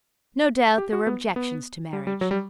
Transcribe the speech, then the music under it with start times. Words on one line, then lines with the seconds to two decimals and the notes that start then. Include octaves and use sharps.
No doubt there were objections to marriage.
0.78 G4
0.93 F#4
1.07 B3
1.36 B3
1.93 G3
2.07 G3
2.21 F#3
2.31 G3